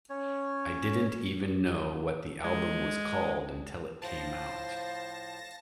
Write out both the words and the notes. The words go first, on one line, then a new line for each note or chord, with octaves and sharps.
I didn't even know what the album was called until it came out.
C#4 C#5
G#3
A2 F3 C5 F5 A5 A#6